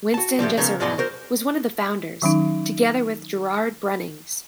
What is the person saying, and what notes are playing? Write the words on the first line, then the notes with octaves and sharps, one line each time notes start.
Winston Jessurun was one of the founders, together with Gerard Brunings.
F#4 A5
A2 D3 F3 G3
C#3 F3 B3 C#4 A#4
G#2 B2 F#3 G#4 D5 C6
F#4 A#4 C5
D#3 F#3 C#4 D#4